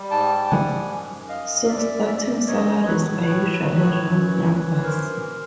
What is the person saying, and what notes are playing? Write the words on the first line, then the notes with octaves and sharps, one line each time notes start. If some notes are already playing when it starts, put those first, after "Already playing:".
So starting salaries are usually round numbers.
Already playing: G3
G#2 G5 A5
G3
F#5 G#5
G#2
F#2
F#2
D#5 F5
F#2
F#2 D5 E5
F#2
D5 E5
F#2
F#3 C#5 D#5
F#3
B4 C#5
A2
A2
F#3
A2
F#2
E3
E3
F#2 A#4 C5
E3